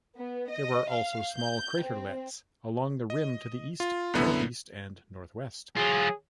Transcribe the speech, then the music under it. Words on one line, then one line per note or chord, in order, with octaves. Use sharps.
There are also small craterlets along the rim to the east, northeast, and northwest.
B3
D#5
F5
G6
C4
D#5
F4
C2 F#2 D3 B3 E4
F#3 F4 G#4